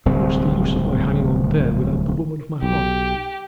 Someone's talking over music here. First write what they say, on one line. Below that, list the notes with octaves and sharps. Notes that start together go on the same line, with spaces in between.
What's the use of my hanging on there without the woman of my heart?
D1 C2 C4
B1 G4